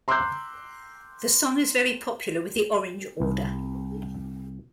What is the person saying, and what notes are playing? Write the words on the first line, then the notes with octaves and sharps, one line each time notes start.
The song is very popular with the Orange Order.
A#5 C6 D6 E6 F#6 G6
C2